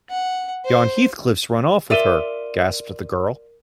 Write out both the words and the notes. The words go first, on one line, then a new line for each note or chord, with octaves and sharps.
'Yon Heathcliff’s run off with her!’ gasped the girl.
F#5
C5
F4 A#4 D5 E5 D#7 G7